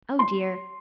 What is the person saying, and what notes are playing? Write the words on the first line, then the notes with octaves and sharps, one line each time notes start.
Oh dear!
C6